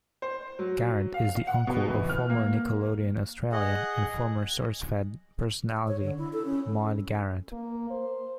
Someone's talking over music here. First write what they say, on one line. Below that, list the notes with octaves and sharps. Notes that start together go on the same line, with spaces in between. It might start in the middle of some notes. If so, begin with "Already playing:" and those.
Garrett is the uncle of former Nickelodeon Australia and former SourceFed personality Maude Garrett.
C5
F#3
F5
F#5
B2
E3
F6
A#3
G#4 D#5 F#5
C#5
D3
E4
A4
C#4
A#3
C5